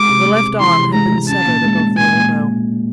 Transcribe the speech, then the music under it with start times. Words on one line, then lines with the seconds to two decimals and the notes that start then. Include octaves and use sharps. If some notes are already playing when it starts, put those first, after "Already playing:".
The left arm had been severed above the elbow.
Already playing: G#3 D6
0.09 C3
0.26 G#3
0.43 C3
0.60 E3 C6
0.77 C3
0.94 G#3 A#5
1.12 G#3
1.29 C#4 A5
1.46 A#2
1.64 G#3
1.80 G#3
1.97 A#2 G#5
2.14 A#2